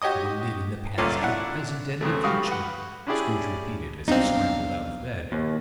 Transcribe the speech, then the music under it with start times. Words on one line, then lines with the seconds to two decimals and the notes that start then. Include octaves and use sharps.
"I will live in the Past, the Present, and the Future!" Scrooge repeated, as he scrambled out of bed.
0.02 F#4 G4 C#5 D#5 D#6
0.98 A#1 G2 A#2 D3 C#4 F4
1.21 D4 E4 F#5
2.01 B1 F2 C#3 A3
2.24 F#4 G4 B4 F5 C#6 D#6
2.47 B4 F#5
3.07 C#4 D4 E4 G4 G#4 D5
4.08 C2 B2 F#3 C4 D4 D#4 F5
5.32 D#2